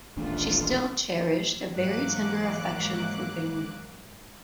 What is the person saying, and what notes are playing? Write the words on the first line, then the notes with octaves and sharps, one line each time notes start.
She still cherished a very tender affection for Bingley.
D#1 A1 A3 B3 D4 F4
G#2 E3 F#3 A#3 D6 F#6